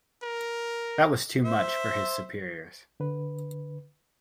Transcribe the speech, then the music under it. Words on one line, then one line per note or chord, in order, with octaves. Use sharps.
That was too much for his superiors.
A#4
C5 E5
D3 B4